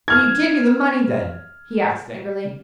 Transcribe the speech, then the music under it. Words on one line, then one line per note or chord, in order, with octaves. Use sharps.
"Will you give me the money then?" he asked angrily.
F6 G#6